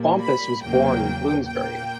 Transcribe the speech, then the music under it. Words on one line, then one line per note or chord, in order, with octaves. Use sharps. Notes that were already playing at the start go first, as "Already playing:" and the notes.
Bompas was born in Bloomsbury.
Already playing: A#2 G3 A#3
B5
E2 C#3 F#3 A#3 G5
A#2 A#3 G5